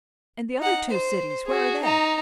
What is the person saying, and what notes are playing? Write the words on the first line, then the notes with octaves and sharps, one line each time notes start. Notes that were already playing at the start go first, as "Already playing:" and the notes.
"And the other two cities----where are they?"
D#4 F#5
C5
F#4 G#4
D#4 A#5